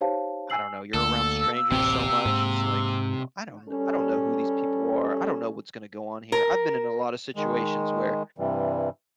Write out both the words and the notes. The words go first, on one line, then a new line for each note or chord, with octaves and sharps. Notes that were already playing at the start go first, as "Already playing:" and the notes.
I don't know, you're around strangers so much. It's like, you know, "I don't know I don't know who these people are. I don't know what's gonna go on here." I've been in a lotta situations where
D#4 G4 C5 C#5 F5 A5
G#5 E6 C7 F#7
D2 A#3 A4 E6
D1 A1 C3 C4 G4
G#2
G3 C#4 A4
A#4
D#3 G#3
G2 C3 E3 G3